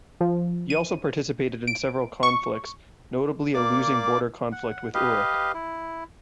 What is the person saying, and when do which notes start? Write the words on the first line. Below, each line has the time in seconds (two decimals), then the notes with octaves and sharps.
He also participated in several conflicts, notably a losing border conflict with Uruk.
0.21 F3
0.70 D#7
1.67 D7
2.23 C#6
3.54 A#3 D5 D6
4.52 F#5
4.94 G4 B4 D#5 F5
5.54 E4